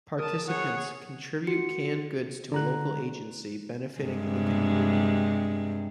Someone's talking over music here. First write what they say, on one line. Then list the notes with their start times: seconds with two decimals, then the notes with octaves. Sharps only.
Participants contribute canned goods to a local agency benefiting the community.
0.19 A#4 A5 D#6
0.48 G#4 C#5 F#5
1.47 F#4 C#7
2.52 D3 A#5 F#6
4.00 G2 C3 G#3